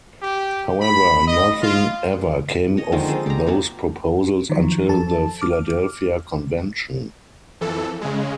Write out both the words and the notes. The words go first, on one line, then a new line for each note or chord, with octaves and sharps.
However, nothing ever came of those proposals until the Philadelphia Convention.
G4
B5
D#5
F4
C#5 D#5
D3 D#3 F3 G#3
D#4 F4 G#4 A4
G4 A#5
F#3 B3 F#4
D#3 F3 F#3
F2 A4 A5
D6 F6
F2 E3 A4
C#3 G#3